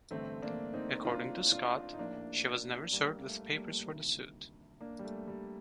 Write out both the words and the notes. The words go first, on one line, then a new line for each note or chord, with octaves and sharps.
According to Scott, she was never served with papers for the suit.
A1 G2 D3 A3 C4
A#3 D4
C4 D#4
D4 F4
D4 F4
D#4
A#1 A2 A#3 D4
G3 A#3
A#3
A3
G3 A#3
D2 C3 D#3
A#3 D4
G3
A3
G3